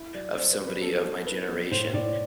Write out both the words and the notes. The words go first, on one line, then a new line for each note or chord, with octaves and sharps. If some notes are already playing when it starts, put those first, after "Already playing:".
of somebody of my generation
Already playing: E4
F#3 D5
C4 C5
B4
F#3
B4
B3 A4
F#3
E4 B4
B3
A2 C5
A2 D5